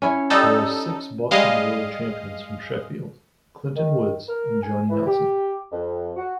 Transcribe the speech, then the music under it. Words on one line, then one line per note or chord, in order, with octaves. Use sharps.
There are six boxing world champions from Sheffield, Clinton Woods and Johnny Nelson.
C#4 E4 C#5
G3 D#4 A4
G3 G#3 D#5 F5
D#3
A#4
G#5
E3
G4
F2
F#4